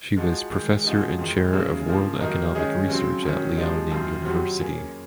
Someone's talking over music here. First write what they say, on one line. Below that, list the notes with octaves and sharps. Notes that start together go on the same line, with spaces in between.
She was professor and Chair of World Economic Research at Liaoning University.
G#2 F3 G#3 D#4 F#4
G#2 D#3 G#3
C#3 F3 G#3 D#4 F#4
F2 D#3 G#3
F#2 C#3 G#3
C#3 F3 A#3
D#3 F#3 A#3 D#4 A#4
D#3 G#3 C#4 G#4 D#5
C#3 F#3 C4
F#2 D#3 F#3 C#4
C3 F3 G#3 D#4
F#2 D#3 A#3 F4
F2 C3 F#3 C4 F#4
A#3 C#4 G#4